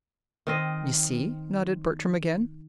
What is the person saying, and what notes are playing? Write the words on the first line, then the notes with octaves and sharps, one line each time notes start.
"You see," nodded Bertram again.
D#3 C4 D#5